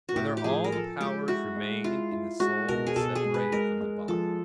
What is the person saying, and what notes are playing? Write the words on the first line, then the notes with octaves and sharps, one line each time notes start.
Whether All the Powers Remain in the Soul When Separated from the Body?
F#4
A2 G4
G4
F3 G#4
A#4
F3 A4
G#3 G4
E4 F#4
G#3
E4 F4
E4
G#3 F#4
B2 A#4
G#4
B2 A4
G#4
G#3
B4
G#3 A#4
G#3
F3 A4